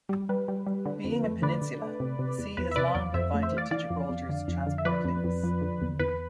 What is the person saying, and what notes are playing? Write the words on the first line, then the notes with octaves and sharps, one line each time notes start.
Being a peninsula, the sea has long been vital to Gibraltar's transport links.
G3
G3 B4
G3
G3
D3
F2
A3
D3 B4 D5
D3
A3
C3
C3
E2
E2 B4
E5
C3 B4 D5
E2 D5 F5
F2 C5 E5
A3
C5 E5
E3
D5 F5
E3 D5 F5
F2
F2
D3
F2
D3
E5
F3 B4 D5
F2
F2
F3
D3
E2
E2 B4